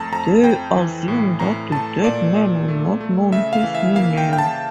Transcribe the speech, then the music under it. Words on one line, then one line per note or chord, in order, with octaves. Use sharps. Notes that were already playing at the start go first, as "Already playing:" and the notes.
They assume that the dead man will not know his new name.
Already playing: F2 A3 A5 A#5
F2 A#5
F2 G5
E3
A2
A2 A#5
A3 A5
A#2 D5
A#2
A3
A3
C#3 E5
F5
E3
E5
A#3 F5
G5
C#3 G5
A5